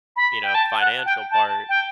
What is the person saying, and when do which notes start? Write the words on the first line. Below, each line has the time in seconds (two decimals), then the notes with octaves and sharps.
you know, financial part
0.16 B5
0.43 G5
0.54 A5
0.80 F#5
1.05 G5
1.31 A5
1.69 G5